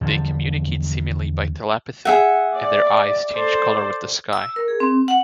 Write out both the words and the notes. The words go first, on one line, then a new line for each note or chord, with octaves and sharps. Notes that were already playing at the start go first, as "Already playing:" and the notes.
They communicate seemingly by telepathy, and their eyes change colour with the sky.
E2 D3 F3 G3
G#4 E5 F#5
D5
A4 C5 D5
E6
A#4
G#4
C4
F#5